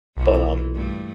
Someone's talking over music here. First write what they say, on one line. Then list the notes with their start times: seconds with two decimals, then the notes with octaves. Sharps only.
but, um,
0.17 B1 A#2 E3
0.75 G2 A3